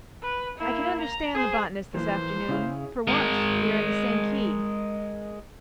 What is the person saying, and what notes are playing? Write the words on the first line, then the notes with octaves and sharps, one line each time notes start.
I can understand the botanist this afternoon; for once we are in the same key.
B4
A#3 E4
A#5
G#4 C5
B1 E3 F3 A#3 C5
C#3 C#4 E4 G#4 F5
G#3 A#4